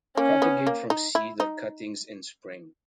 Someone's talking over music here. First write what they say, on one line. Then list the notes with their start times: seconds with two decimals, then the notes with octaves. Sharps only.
Propagate from seed or cuttings in spring.
0.17 A#3 C#4
0.42 B3
0.67 A#3
0.90 D#4
1.15 E4
1.40 D#4